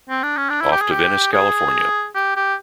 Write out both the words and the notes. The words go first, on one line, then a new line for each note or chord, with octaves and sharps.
Off to Venice, California.
C4
D4
C#4
D4
E4
G4
G#4
G4
G#4
G4
G4